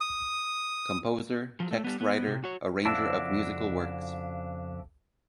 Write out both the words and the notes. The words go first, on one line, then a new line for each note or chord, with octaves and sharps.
Composer, text writer, arranger of musical works.
D#6
F3 F#3
A3
G3 B3
B3
C3
F#4 C#5
F2 C#3 D4 E4 F#4 A5